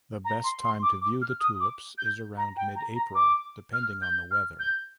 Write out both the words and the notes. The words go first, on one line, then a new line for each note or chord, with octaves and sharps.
The best time to view the tulips is around mid-April, depending on the weather.
A#5
C6
C6
D6
D6
F6
D#6
D6
G6
A#5
G5
A#5
A#5
D6
F6
G6
F6
G6